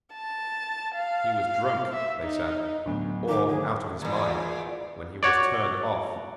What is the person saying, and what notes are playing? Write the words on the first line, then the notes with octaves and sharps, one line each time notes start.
He was drunk, they said, or out of his mind, when he was turned off.
A5
F5
E5
D#4
D2 A2 F#3 B3
D#3 G#5 A#5 D6
D3 F#3 G#4
E2 A#2
F#4 C#5 D5